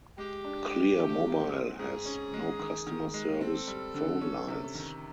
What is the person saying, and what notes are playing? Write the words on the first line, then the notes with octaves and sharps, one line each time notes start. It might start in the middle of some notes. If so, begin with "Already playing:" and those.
Clear Mobile has no customer service phone lines.
G#3 G4
D4
G#3
A3
F#3
C4
G#2 G#4
C#4
G#3
D#3
D#3
G#3
C4 A4
G3
D3
C#4
C3
D#3